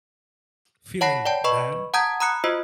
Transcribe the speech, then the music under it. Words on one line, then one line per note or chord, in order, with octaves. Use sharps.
feeling bad.
C#5 F#5 A5 B5 A#6 C7
D5 G5 A5
B4 D#5 B5 C#6
F#5 A5 A#5 D#6 G6 G#6
A#5 B5 D#6 F#6 C#7
F4 F#4 C5 D#5 E6